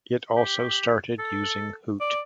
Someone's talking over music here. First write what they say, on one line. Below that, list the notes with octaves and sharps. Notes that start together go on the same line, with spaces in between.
It also started using Hoot!
G4
A4
D5